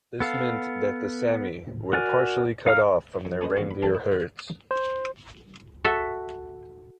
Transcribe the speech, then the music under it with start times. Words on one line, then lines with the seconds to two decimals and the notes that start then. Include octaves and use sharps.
This meant that the Sami were partially cut off from their reindeer herds.
0.20 B3 A4 F5
1.93 F#4 A#4 D5 G#5
2.66 D#4 F5 A#5 F6
3.25 F2
3.41 A3 C#4 B4 C5 D#5
3.57 A1 D#2 C#3 F#4 F5
3.71 B5
3.82 E3 C4 A4 F5 G5 A5
3.95 E4
4.71 C5
5.84 F#4 A4 E5